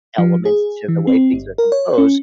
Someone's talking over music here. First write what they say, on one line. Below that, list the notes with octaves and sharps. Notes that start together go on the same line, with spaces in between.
element to the way things are composed.
F3
G#4
E3
C4
G1
A#4
C#5
C#4